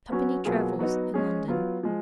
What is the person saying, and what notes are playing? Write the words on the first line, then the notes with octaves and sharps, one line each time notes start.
Tuppenny travels in London.
F#3 C#4 F#4 B4
B2 F#3 A#3 F4 G#4
F#3 B3 D#4 F#4
G#3 C#4 G#4
F#3 B3 F4
F3 G#3